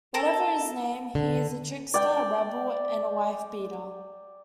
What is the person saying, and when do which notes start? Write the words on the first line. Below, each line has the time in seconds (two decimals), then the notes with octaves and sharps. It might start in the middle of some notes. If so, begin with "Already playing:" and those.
Whatever his name, he is a trickster, a rebel, and a wife beater.
0.14 A4 A#4
1.15 D3
1.94 D5 G5